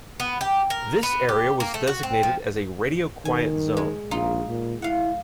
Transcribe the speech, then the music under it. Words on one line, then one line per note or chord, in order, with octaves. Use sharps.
This area was designated as a radio quiet zone.
B3
G4
A#4
B3
G4
A#3
A3
F#4
C4
F3
D#3 G#5
G#3
A#1 D#4 F4
A#2
E4 F5 F#5